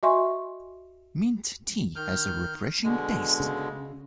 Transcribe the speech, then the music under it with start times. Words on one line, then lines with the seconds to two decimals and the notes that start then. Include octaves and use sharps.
Mint tea has a refreshing taste.
0.03 F#4 D#5 E5 G#5 C6 C#6
1.96 D#3 F6 G6
2.84 B2 D3 G#3
3.40 C#3